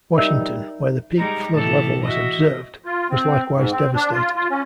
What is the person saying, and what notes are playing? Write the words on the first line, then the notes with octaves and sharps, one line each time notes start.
Washington, where the peak flood level was observed, was likewise devastated.
G3 D#4 A#4 E5
G3 G#3 D#4 A#5
A2 E3 A4 A5
F#4 D#5 E5
F4
C4
G#2
C4
D4
F4
F4
C#4